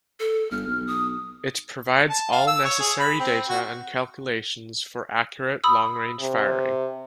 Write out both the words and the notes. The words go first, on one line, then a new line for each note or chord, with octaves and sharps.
It provides all necessary data and calculations for accurate long range firing.
A4
G1 F6
B1
D#6
A5
F5
E6
C#5
G#4
B5
C4
F#4
B5 D#6 E6
C3